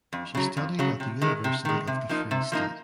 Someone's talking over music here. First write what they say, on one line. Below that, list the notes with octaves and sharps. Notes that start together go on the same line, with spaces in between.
She studied at the University of the Free State.
F2
C#3 F#3
F2
C#3 F#3
C3
D#3 G#3
C3
D#3 G#3
C3
F3 A#3 D#4
C3
F3 A#3 D#4